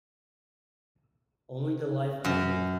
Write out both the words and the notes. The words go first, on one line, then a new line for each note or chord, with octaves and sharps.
Only the life I have lived.
F#2